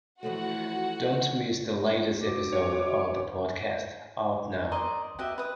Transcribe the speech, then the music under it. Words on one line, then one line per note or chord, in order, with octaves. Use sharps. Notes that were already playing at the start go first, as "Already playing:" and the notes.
Don't miss the latest episode of the podcast. Out now!
E3 F3 A3 F#4 F#5
F#4 D6
C#5
A#4 D5 D#5 C6
F#4 G4 D#5 E5
B4 D#6